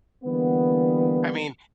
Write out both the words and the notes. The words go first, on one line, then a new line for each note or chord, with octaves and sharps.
I mean,
D3 E3 G3 A#3 B3